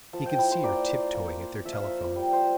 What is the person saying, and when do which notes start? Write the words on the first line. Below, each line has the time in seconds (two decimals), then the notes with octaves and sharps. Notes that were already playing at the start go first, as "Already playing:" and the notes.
He could see her tiptoeing at their telephone.
0.13 F3 A5
0.26 G5
0.38 E4 G5
0.51 C5
0.64 A#3 D5
0.89 F4
1.14 A#3
1.40 F4
1.65 F3 E5
1.73 F5
1.80 E5
1.90 F4
2.16 G3 G5
2.33 C5
2.42 F4